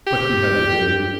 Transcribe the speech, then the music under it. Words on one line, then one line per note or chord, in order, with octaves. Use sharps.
But he had it ready.
G4